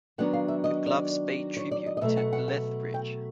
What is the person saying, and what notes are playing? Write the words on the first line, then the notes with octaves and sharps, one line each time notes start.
The gloves pay tribute to Lethbridge.
D#3 F#3 B3 D4 F#5
F5
E5
D#5
D5
C#5
D5
D#5
D#5
B2 F#3 A3 E5
F#5
F#5
F#5
G5